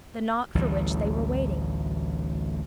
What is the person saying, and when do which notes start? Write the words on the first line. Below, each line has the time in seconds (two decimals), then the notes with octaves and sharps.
The knock for which they were waiting!
0.55 A1 D2 E3 G3